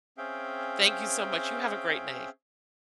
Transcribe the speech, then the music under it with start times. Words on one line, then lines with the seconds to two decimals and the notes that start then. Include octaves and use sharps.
Thank you so much. You have a great day.
0.18 C4 C#4 G#4 E5 F5 G5